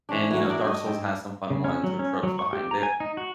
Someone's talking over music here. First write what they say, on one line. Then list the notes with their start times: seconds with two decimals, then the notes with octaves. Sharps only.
And, you know, Dark Souls has some fun ones or tropes behind it.
0.09 E3 C#4 D4
0.31 E3 F#3 F#4 A#4
0.49 D4 A4 A#4 D5
0.64 G2 D#5
0.86 G#2 C4
1.50 C#3
1.64 C#4
1.84 F#3
1.99 C#4
2.23 F#3
2.39 C#6
2.53 G4
2.71 A#5
2.83 G#5
3.00 D#4
3.17 F#4